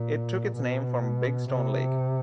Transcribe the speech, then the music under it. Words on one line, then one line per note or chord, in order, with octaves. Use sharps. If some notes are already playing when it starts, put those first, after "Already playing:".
It took its name from Big Stone Lake.
Already playing: A#2
B2
C3